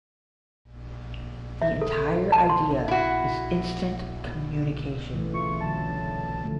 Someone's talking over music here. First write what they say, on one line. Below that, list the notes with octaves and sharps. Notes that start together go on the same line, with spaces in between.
The entire idea is instant communication.
E5
A4
A5
C6
E4 F#4
C#3 E3 A3
F4 E5 C#6
D3 F#3 A5
D3 F3 A3